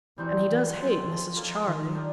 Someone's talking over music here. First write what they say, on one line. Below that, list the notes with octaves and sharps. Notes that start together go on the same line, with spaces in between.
And he does hate Mrs. Charley.
E3 G3 C4 D#4 F#4
E3
F#3 G#3 C4 F4 G#4
F3
A#3 C#4 F4 A4
D#3
D4 G4 A#4 D#5